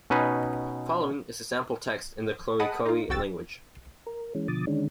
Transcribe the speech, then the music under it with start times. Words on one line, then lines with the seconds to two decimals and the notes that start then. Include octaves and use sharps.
Following is a sample text in the Khoekhoe language.
0.10 B2 C#4 D#4 B4
2.60 G#4 D#5 F#5 A5 B5 D#6
2.85 D#4 F4
3.09 C2 F2 F#4 G5 E6 A6
4.07 A#4
4.35 E3 G#3 C#4
4.48 B2 D3 F3 D6 D#6 A6
4.67 D3 D#3 G#3 C#4 D4